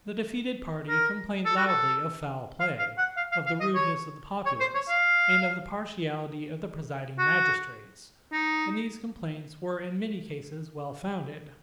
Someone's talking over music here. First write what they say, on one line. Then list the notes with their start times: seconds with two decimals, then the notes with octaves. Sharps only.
The defeated party complained loudly of foul play, of the rudeness of the populace, and of the partiality of the presiding magistrates; and these complaints were in many cases well founded.
0.89 A#4
1.45 A4
1.56 F#4
1.67 A4
2.60 F5
2.79 F5
2.98 F#5
3.17 F5
3.32 F5
3.46 F5
3.61 D#5
3.75 C#5
4.46 C#5
4.60 C5
4.74 C#5
4.89 F5
7.18 F#4
8.32 D#4